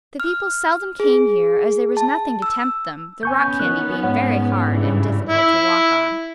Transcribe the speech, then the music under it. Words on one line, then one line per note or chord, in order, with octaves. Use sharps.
The people seldom came here, as there was nothing to tempt them, the rock candy being very hard and difficult to walk on.
F6
G#4
A5
E6
B3 C#4 G#5 C#6 G6
D#3 F#6
G#2 C#5 F#5
G2 C#3 E3
E4